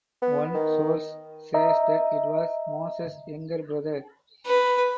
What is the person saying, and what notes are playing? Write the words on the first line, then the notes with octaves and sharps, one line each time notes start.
One source says that it was Moses younger brother.
B3
D#3
D#5 E5 A#5
B4